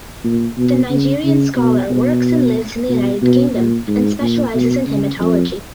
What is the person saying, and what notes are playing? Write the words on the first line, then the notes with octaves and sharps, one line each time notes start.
The Nigerian scholar works and lives in the United Kingdom and specialises in Hematology.
A#2
B2
C#3
C#3
B2
B2
B2
B2
A#2
G#2
A#2
B2
C#3
F2